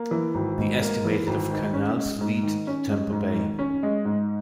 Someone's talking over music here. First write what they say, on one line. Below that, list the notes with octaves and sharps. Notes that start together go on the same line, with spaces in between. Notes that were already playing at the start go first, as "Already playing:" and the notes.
The estimated of canals lead to Tampa Bay.
Already playing: A#3
E3
G#1
G#2
A#3
E3
G#1
D#3
C#4
G#3
G#2
D#3
C#4
G#3
G#2
D#3
C#4
G#3
G#2